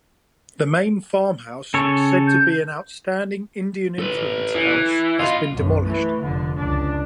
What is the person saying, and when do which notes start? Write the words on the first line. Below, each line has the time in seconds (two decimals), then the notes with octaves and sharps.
The main farmhouse, said to be an "Outstanding Indian-influence house", has been demolished.
1.74 C#3 A4 C#5
2.27 G6
3.99 A4 B4
4.55 E3
5.20 F4 D#5 B5
5.51 B1 F#2
5.86 E3 A3
6.21 F1 D3
6.57 C#2 D4